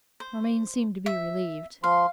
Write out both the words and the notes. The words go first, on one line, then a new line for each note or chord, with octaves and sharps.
Romayne seemed to be relieved.
C5
E5
F3 F5 C6